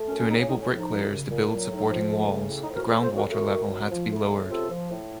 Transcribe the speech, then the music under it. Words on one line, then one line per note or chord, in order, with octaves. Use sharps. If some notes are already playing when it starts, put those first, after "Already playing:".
To enable bricklayers to build supporting walls, the groundwater level had to be lowered.
Already playing: A3
F#2 C#4
C#4
C#3 D#4
C#4
A2 D#4
C#4
F3
D#4
F#2
C#3
A#2
F#3
A2 D#4
F3
A3
C#3
A2
D#4
F3
F#4 A#4
F2 A4 C5
A4 C5
C#3
F#4 A#4
A3 F#4 A#4
D#3
F#2
F3
A3
C#3
C3 F4 A4
F3
A2